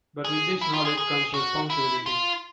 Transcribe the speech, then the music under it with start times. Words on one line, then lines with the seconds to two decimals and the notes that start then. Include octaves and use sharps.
But with this knowledge comes responsibility.
0.24 G#4
0.61 E4
0.73 F4
0.85 G#4
0.97 G#4
1.34 F#4
1.70 E4
2.06 F4